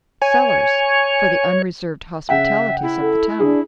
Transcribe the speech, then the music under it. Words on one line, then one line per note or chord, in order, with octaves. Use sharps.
Sellers for the unreserved hospitalities of the town.
C#5 G#5
C#3 E5 F#5 G5
E4
A4
D4 G#4